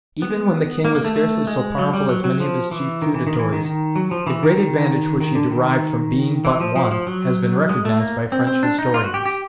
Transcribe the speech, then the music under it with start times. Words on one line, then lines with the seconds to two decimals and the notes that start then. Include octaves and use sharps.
Even when the king was scarcely so powerful as many of his chief feudatories, the great advantage which he derived from being but one has been recognized by French historians.
0.22 B3
0.85 A#3
0.95 A#3
1.05 A3
1.16 A3
1.47 G#3
1.78 F#3
1.93 G3
2.09 F#3
2.24 F#3
2.40 F3
2.71 E3
3.02 D#3
3.14 E3
3.27 D#3
3.39 E3
3.53 D#3
3.65 D#3
3.96 F#3
4.11 F3
4.27 E3
4.43 D#3
4.58 D#3
5.20 D#3
5.35 D3
5.51 D#3
6.45 E3
6.60 F3
6.76 F3
6.91 F3
7.07 F#3
7.69 G#3
7.85 A3
8.00 A#3
8.32 C4
8.47 C4
8.63 D4
8.79 D#4
8.94 F4
9.04 F#4
9.14 G4
9.25 G4